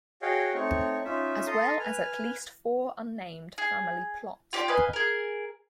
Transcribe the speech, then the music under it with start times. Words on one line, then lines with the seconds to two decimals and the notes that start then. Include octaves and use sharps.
As well as at least four unnamed family plots.
0.22 F#4 G#4 C#5 D#5 F5 G5
0.54 A3 C4 D#4 C#5 C#6
1.05 C#4 D#4 F4 E5
1.46 A4 D#5 A#5 C6 D#6
1.79 B4 G#5 F6
3.58 G#4
4.53 F4 G4 D5 G5
4.68 B4 D#5 F5 G#5
4.93 G#4 A#4